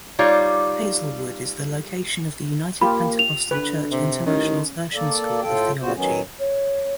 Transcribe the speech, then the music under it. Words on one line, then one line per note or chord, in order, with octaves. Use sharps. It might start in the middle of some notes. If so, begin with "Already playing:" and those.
Hazelwood is the location of the United Pentecostal Church International's Urshan School of Theology.
G3 D#4 F4 C#5 D5
A#3 F4 G4 B5
F7
D3 B4
C3
A1 D#3 C#4
A#3 A4 D5
A2 F4 A4 G5
A#2 C#3 G3 B3 F#4 C5
D#3 F#3 B3 C#4
C#5